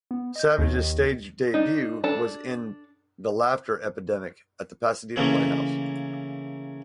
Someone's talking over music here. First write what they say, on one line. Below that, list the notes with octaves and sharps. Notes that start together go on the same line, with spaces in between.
Savage's stage debut was in "The Laughter Epidemic" at the Pasadena Playhouse.
B3
D#5 G6
D#2 D#5
D4 D#4
D4 A4 A5
C#3 E3 A3 A#3 C#4 E4